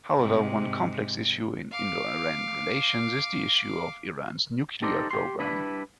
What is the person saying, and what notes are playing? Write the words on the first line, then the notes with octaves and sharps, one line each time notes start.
However, one complex issue in Indo-Iran relations is the issue of Iran's nuclear programme.
G#2 C3
F5 D6
D#4 G4 A4 A#4 C5 D5
G4 C6
G3 D4 E4 B4